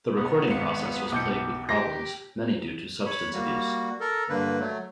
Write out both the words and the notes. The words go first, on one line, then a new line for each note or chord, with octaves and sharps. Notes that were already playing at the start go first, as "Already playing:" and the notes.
The recording process was plagued with problems, many due to substance abuse.
B2 B3
G#1 C#7
B1 D6 G6 C#7
G4 A#6
C#5 B5
G3 A#3 F#4
A4 A#4
G2 D3 A#3 B4
F#3 A3